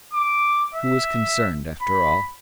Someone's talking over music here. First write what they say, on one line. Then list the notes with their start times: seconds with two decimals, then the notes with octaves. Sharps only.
Who was concerned, after all?
0.13 D6
0.75 E5
1.81 B5